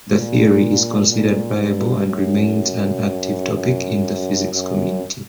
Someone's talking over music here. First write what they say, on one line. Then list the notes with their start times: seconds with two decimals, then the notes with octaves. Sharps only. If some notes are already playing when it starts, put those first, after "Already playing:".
The theory is considered viable and remains an active topic in the physics community.
0.12 A#2
1.09 A#2
1.58 G2
2.07 F#2
3.53 F#2
4.52 F#2